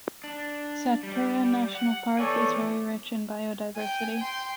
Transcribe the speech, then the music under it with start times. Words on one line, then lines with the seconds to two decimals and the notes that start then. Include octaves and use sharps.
Satpura National Park is very rich in biodiversity.
0.24 D4
1.03 G3
1.75 F#5
2.19 E3 B3 A4 C#5 D5 G#5
3.76 G5 G#5
4.18 G5 C6